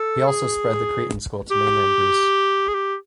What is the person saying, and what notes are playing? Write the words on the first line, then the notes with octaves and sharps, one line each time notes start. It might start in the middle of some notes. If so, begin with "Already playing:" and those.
He also spread the Cretan School to mainland Greece.
Already playing: A4
G#4
G4
G#4
G4